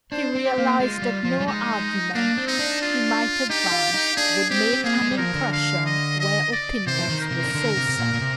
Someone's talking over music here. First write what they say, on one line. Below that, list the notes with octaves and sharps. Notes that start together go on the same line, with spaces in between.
He realized that no argument he might advance would make an impression where opinions were so set.
D4 C5
C4
G4
A#3
G#3 F4
G3
F3
G3
G#3 D#4
A#3 D4
C4
D#4
D4
F4
D#4 G4
F4
D#4
D4 G#4
C4 G4
C4
A#3 G#4
G#3
G3
F3 A#4
D3
F5
D#5
D#5
D5
C3 C5
F3
D#3
A#4
C3
D#3
D3
C3
C3
A#2
A#2
C3